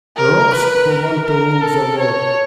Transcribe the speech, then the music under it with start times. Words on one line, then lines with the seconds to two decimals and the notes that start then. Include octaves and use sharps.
Rogues who want to rule the world.
0.16 A#4
0.52 B4
0.89 A#4
1.26 A#4
1.62 A4
1.98 C#5